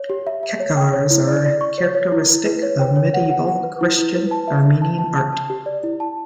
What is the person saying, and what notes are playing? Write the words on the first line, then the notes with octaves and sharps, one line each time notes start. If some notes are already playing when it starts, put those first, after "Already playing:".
"Khachkars" are characteristic of Medieval Christian Armenian art.
Already playing: C#5
G4
E5
E5
C#5
G5
C#5
E4
D5
D5
C#6
C#5
C#5
E4
E4
B4
C#5
G5
C#5
F#5
F#5
F#5
B4
E4
E4
B4
A5
E5
E5
A5
A5
A5
A5
G4
D5
E4
A5